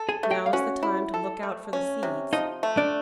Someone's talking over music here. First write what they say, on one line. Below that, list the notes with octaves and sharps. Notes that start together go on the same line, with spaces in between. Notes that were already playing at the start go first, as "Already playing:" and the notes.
Now is the time to look out for the seeds.
Already playing: A4
G#4 G#5
A3
G4 G5
F5
C#4 F#4 F#5
E4
A4
A3
C#4
C3
F3 D#4 D#5
A3
D4 D5